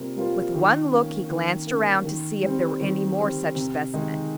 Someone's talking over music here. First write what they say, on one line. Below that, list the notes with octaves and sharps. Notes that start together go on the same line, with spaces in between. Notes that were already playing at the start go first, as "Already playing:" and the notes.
With one look he glanced around to see if there were any more such specimens.
Already playing: C3 G3 A#3 F4 C5
G3 A#3 F4 C5
D#3
A#3 C#4
D#3
A#3 C#4
D#3
G3 C4
D#3
G3 C4
C3
D#3 G#3 D#4 G#4